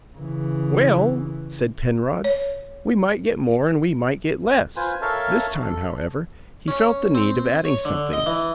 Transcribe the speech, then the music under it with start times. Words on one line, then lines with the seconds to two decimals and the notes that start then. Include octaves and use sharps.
"Well," said Penrod, "we might get more and we might get less." This time, however, he felt the need of adding something.
0.16 C#3 E3
2.24 C#5
4.76 F4 B4 C5 G#5
5.02 A4 A#4 C#5 E5 F5 A5
5.63 A4
6.68 C#4
7.15 C4
7.65 C#5
7.85 D3
8.13 D#5
8.26 E3